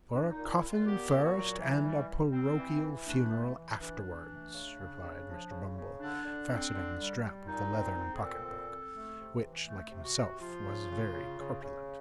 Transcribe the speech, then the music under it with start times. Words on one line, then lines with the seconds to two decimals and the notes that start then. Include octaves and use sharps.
'For a coffin first, and a porochial funeral afterwards,' replied Mr. Bumble, fastening the strap of the leathern pocket-book: which, like himself, was very corpulent.
0.12 A#2 D4
0.30 D#4
0.36 A#2
0.49 E4
0.62 A#2
0.67 F4
0.86 B3 G4
1.09 A#2
1.22 F#4
1.35 F#3
1.59 E3
1.83 G3
2.08 G3
2.33 C4
2.57 E3
2.81 E3
3.05 A3 D4
3.31 E3
3.55 E3
3.79 E3 D4
4.04 E3
4.28 A3
4.52 C#3
4.77 C#3
5.02 C#3
5.26 F3
5.50 C#3
5.75 C#3
5.99 D3 D4
6.24 D3
6.49 C4
6.73 D3
6.98 G3
7.22 G3
7.47 A#2 D#4
7.71 C4
7.96 C4
8.14 G#4
8.19 A#2 A4
8.45 C4
8.68 C4
8.93 A3
9.18 C3
9.42 E3
9.67 A3
9.91 C3
10.03 F#4
10.15 C3
10.40 F3 F4
10.65 C#3
10.89 C#3
11.13 C#3
11.39 C#3
11.62 C#3